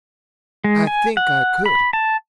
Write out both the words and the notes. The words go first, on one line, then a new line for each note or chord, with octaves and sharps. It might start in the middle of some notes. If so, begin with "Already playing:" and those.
I think I could.
G#3
G#5
F#5
B5
A5